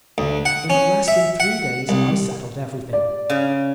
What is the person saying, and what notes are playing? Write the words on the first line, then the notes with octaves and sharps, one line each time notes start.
In less than three days I settled everything.
D2
F#5
C#4
E5
F#5
C2
D5
C#3